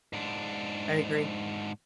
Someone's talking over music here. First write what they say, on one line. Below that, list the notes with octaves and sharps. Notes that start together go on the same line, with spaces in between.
I agree.
G#2 D4